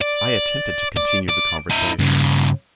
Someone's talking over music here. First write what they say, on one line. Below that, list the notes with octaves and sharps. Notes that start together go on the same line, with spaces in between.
I attempted to continue the conversation.
D5
D5
D5
E4 D#5
G2 C#3